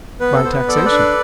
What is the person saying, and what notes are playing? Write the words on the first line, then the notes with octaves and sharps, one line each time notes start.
By taxation.
B3 B4
A4
B3 C5
B4
A4 D5
C5
B4 D5
D4